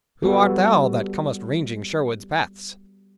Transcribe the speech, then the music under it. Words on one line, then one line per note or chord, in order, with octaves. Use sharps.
Who art thou that comest ranging Sherwood's paths?
G3 B3 F#4 A4